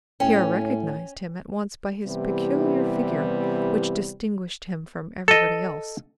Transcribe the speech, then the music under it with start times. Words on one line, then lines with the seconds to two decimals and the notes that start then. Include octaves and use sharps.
Pierre recognized him at once by his peculiar figure, which distinguished him from everybody else.
0.20 A2 C#4 G5
2.06 C3 E3 G3 B3 E4 G4
5.28 A4 D#5